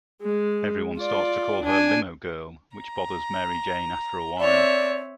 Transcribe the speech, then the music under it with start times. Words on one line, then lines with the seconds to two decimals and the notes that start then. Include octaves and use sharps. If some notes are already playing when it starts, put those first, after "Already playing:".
Everyone starts to call her "Limo Girl", which bothers Mary Jane after a while.
0.21 G#3
0.98 F4 D5
1.64 D4 G#5
2.77 A#5
4.40 C4 C#5 D5 E5